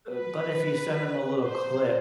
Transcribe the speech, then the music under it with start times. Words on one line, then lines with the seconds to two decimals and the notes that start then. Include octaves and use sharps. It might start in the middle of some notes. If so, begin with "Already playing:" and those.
uh, but, if you send them a little clip,
0.13 B4
1.44 C5